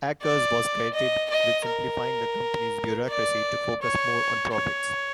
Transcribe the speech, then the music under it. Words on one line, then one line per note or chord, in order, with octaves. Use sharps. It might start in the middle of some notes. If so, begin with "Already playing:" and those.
Akers was credited with simplifying the company's bureaucracy to focus more on profits.
D5
D#5
D#5
A#4
D5
C#5
C#5